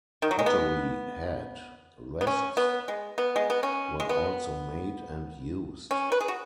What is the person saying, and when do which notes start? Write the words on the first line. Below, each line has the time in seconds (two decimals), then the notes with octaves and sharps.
Pottery head rests were also made and used.
0.22 D#3
0.31 F#3
0.39 G#3
0.46 B3
2.21 B3
2.27 C#4
2.57 B3
2.88 G#3
3.18 B3
3.36 G#3
3.50 B3
3.63 C#4
4.00 G#3
4.09 B3
5.91 C#4
6.12 B4
6.20 G#4
6.28 F#4